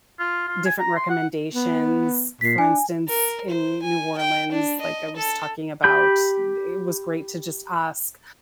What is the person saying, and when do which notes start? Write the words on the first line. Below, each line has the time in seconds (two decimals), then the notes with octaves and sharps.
different recommendations. For instance, in New Orleans, like I was talking about, it was great to just ask
0.20 F4
0.48 F4
0.65 G#5
0.79 A#5
0.96 C6
1.10 F#5
1.54 B3
2.41 A#2 B6 C7
2.58 D4 G#5
3.09 A#4
3.50 C5
3.82 G#5
4.18 G5
4.52 D4
4.81 D#5
5.16 A4
5.84 G4 B5 G6